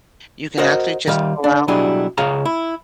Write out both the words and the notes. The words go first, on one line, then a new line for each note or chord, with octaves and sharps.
you can actually just pull out
F#4 A#4 C5 D#5
D#3 G3 F5
D4
B2 F#3 G3 D4 E4 G#4
C#2 C#3 G#4 F5 A5 A#5
E4